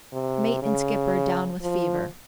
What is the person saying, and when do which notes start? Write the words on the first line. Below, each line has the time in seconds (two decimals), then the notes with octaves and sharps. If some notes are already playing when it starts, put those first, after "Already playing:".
Mate and skipper down with fever.
0.13 C3
0.62 C#3
1.62 F3